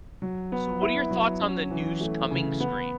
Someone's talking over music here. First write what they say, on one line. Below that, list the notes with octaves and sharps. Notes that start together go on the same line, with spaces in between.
So, what are your thoughts on the new s coming Scream?
F#3
B3
E4
F#3
C#4
E3
A3
C#3
B3